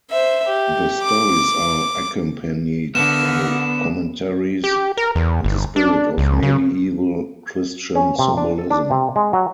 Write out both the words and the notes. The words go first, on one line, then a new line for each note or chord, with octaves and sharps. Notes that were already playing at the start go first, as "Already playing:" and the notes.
The stories are accompanied by commentaries in the spirit of medieval Christian symbolism.
C5 E5
G4
D6
D3 A#3 B3 E5 F6 E7
G4
A#4
E2
G1
D4
C#2
C#3
C#4
C3
D4
A4
D4
C3
G#3
F#3